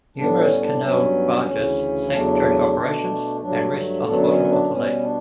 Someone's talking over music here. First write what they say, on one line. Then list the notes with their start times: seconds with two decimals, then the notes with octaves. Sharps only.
Numerous canal barges sank during operations and rest on the bottom of the lake.
0.17 A2 G3 B3 D4
0.39 C#4
0.61 D4
0.82 G2 F#3 B3 C#4
1.47 D2 C#3 E3
2.03 E4
2.12 E2 C#3 F#3 A3 D4
2.76 B2 A3
3.41 G2 F#3 A3 D4
4.06 F#2 D3 F#3 B3 A4
4.19 D4
4.28 C#4
4.49 D4
4.70 B2 G3 B3 C#4
5.03 D4